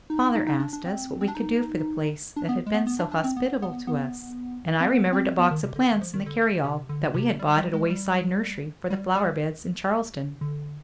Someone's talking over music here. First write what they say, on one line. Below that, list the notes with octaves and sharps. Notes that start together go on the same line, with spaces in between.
Father asked us what we could do for the place that had been so hospitable to us, and I remembered a box of plants in the carryall, that we had bought at a wayside nursery, for the flower beds in Charlestown.
D#4
D#4
D#4
D4
D4
C4
C4
D4
D#4
D4
B3
G#3
B3
B3
D4
D4
C4
B3
B3
B3
C4
B3
C4
B3
D#3
C3
D3
D#3
F3
D#3
D3
C3
D3
C3
G3
G3
G#3
G3
G3
G3
D3